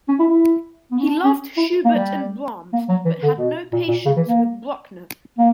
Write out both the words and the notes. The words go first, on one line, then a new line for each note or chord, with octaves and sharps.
He loved Schubert and Brahms, but had no patience with Bruckner.
C#4
E4
E4
B3
C#4
D4
C#4
E4
A#3
G3
A#3
F#3
E3
D3
B2
A#2
A#2
C#3
E3
A#3
A#3